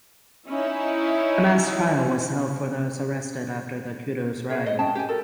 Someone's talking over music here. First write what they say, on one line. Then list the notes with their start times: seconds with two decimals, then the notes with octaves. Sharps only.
A mass trial was held for those arrested after the Kudus riot.
0.48 C#4 D#4 E4
4.50 G#4 C#5 E5
4.66 D#5
4.79 C#4 G#4 G5 A5
4.95 G4 G#5
5.09 F#4 A4 A#4